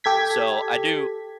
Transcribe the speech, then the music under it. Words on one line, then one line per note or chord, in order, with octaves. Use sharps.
So, I do
G4 A4 G#6 B6